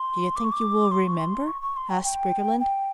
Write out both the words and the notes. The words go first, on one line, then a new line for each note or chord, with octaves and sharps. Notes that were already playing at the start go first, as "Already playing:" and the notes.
"Do you think you will remember?" asked Briggerland.
Already playing: C6
D6
C#6
D6
C6
C#6
C6
C#6
C#6
C6
G5
G5
G5